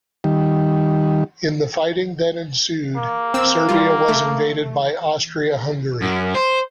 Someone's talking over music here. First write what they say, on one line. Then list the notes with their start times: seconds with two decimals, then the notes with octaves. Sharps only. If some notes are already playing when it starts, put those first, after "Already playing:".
In the fighting that ensued, Serbia was invaded by Austria-Hungary.
0.24 D#3 G3
2.97 A#3
3.34 C4 E6
3.69 G3 F4
4.08 A3
6.02 F#2
6.35 C5